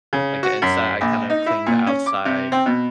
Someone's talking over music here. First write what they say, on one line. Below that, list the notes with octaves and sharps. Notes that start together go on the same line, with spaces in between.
like the inside. I kinda clean the outside,
C#3
F#4
F#2
A#1
D#4
E4
A#2
C#4
D6
C3
C4
B2